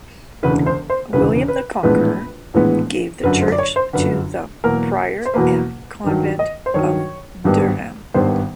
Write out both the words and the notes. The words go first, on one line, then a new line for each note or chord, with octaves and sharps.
William the Conqueror gave the church to the prior and convent of Durham.
E1 D2 C#3 E3 B4
C5
C5
E1 D2 C#3 E3 B4
B4
A#1 A2 E3 G#3 B3 B4
A#1 A2 E3 G#3 B3
G1 F#2 D3 B4
C5
D5
C#5
C5
G1 F#2 D3 B4
E2 B2 F#3 A#3 A#4
C5
E2 B2 F#3 A#3 B4
G2 D#3 F#3
D#5
C5
G2 D#3 F#3 C#5
G#1 G2 D#3 G3 B3
G#1 G2 D#3 G3 B3 C5